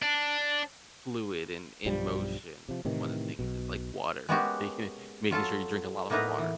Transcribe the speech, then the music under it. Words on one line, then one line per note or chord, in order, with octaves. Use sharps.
fluid and in motion. One of the things is, like water. Taking in making sure you drink a lot of water.
D4
B1 G2 F3 G3
C3 F3
A2 C3 D#3 E3
B1 B2
G#3 A#3 B3 C#4 F#4 G4
F#3 F4 A4 A5
A2 A#3 B3 D#4 B4 A#5
E3